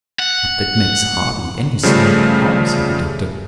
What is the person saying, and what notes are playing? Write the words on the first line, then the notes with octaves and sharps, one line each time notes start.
"But that makes hardly any sound at all," said the Doctor.
F#5
C#3 F3 G3 A3